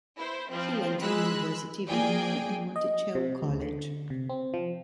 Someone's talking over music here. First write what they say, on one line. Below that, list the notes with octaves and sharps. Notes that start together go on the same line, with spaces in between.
He went to University of Illinois and Monticello College.
E4 C5
F3 C4
G#3 B5 E6 F#6
A#3 G#4 D5 G5 G#5
D#5
C3
D2
D3
C3
C4
F3